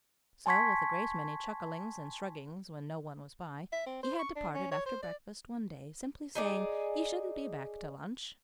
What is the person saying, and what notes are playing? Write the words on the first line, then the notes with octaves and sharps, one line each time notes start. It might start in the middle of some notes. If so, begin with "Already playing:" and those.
So, with a great many chucklings and shruggings when no one was by, he had departed after breakfast one day, simply saying he shouldn't be back to lunch.
G#5 A5 C6 C#6 G#6 B6
E5
C4
C5
C#6
D4
C#4
C#5
C5
D5
D#4 G#4 D5